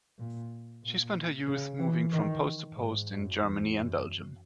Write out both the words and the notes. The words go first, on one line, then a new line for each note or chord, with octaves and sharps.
She spent her youth moving from post to post in Germany and Belgium.
A#2
A#2
C#3
E3
D#3
G#2
F#2
E2
F#2